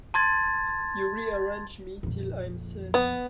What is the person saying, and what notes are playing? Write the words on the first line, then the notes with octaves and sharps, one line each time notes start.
You re-arrange me 'till I'm sane.
A5 C6 G#6 A6
F2 A#2
B3